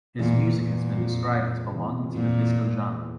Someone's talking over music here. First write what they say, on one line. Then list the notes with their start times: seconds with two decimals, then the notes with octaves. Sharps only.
His music has been described as belonging to the disco genre.
0.19 E2 A#2 E3
0.58 A#2
0.97 F2 F3
1.67 C#3
1.75 E2 E3
1.84 C3
1.94 C3
2.04 E2 E3
2.14 F2 A#2 F3
2.91 E2 E3